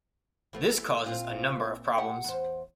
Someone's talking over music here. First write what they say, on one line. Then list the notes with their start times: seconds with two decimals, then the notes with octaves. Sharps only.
This causes a number of problems.
0.53 E3 A3 B3
1.06 A#2 C4 F4
1.98 G4 F#5
2.24 E2 C5